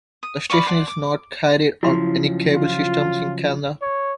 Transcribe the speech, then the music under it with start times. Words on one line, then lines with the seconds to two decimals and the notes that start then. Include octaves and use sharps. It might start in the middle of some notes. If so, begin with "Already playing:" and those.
The station is not carried on any cable systems in Canada.
0.23 D#6
0.50 C#5 D5 F5 B5
0.66 F4 D5 F#5 A5
0.88 D6
1.83 C#3 F3 F#3 E4 C6
2.54 F4
3.82 C#5